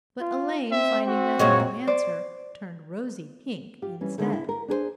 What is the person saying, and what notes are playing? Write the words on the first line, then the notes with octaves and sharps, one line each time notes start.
But Elaine, finding nothing to answer, turned rosy pink instead.
F4
C4 E5
F#4
F#2 A#2 G#3 C#5
C5 D5
F4 G4
E3 G3 C#4
D2 D3 D#3 G#3 A3
E4
A#4
D4 G#4 A#4 C5